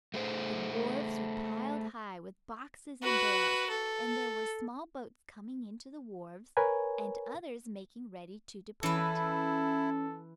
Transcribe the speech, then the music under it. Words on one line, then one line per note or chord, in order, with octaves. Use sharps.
The wharves were piled high with boxes and bales, and there were small boats coming in to the wharves, and others making ready to depart.
A3 G#4 C5
F#4 B4
A4
A#4 B4 C#5 G#5
E3 C#4 E4 A4 B4